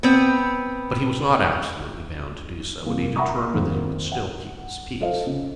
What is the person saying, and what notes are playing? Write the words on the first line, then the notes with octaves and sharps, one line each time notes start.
But he was not absolutely bound to do so, and he determined that he would still keep his peace.
B3 C4
C2 A#3
E5 F#5 A#5 B5 C#6 D#6
F2 D#3 A#3
F#5
F4 A4 C5 D#5 F5
C#3